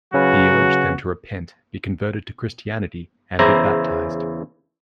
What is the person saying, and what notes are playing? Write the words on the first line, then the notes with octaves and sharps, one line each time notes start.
He urged them to repent, be converted to Christianity, and be baptized.
C#3 F#3 C#4 F#4 B4
E2 C#3 E4 C5 A#5